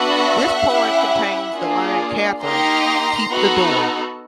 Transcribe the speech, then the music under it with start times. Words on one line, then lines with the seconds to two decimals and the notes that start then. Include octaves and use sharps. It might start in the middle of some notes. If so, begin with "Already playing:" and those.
This poem contains the line Catherine, keep the door!
Already playing: B3 D4 F#4 A4 E5 F#5
0.66 C#4 E4 G4
1.54 A#3 D4 F4 G#4
2.42 A#3 D#4 G4 A#5 C6
3.30 B3 D#4 F#4 A4